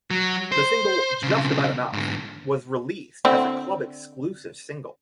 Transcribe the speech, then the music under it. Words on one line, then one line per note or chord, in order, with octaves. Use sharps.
The single "Just About Enough" was released as a club-exclusive single.
F#3
C5
B1 C#3
G#2 D3
D3 C4 E4